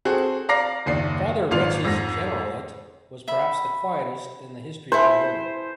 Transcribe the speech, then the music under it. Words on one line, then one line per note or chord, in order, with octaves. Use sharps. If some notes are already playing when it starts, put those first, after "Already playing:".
Father Retz's generalate was perhaps the quietest in the history of the order.
C4 F#4 G#4 A4
D5 F5 A#5 D6 A#6 C7
F#1 D#2 D5 C7
G#1 A#2 F4 D5 F7
F2 G#2 A#6
E5 B5
E4 A4 C5 G#5